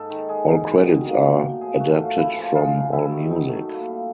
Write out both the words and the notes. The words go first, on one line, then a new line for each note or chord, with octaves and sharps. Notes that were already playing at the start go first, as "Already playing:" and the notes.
All credits are adapted from Allmusic.
Already playing: G#2 A4
D#3
G#3 G#4
G#2
B2
G3
A#3
B2
A2
F3 G#4
A3 F#4
A2 F4
C#3 E4
F3
G#3 F4
C#3
F#2 E4
D#3
F#3 D#4
A3
A#2 E4
G3 F4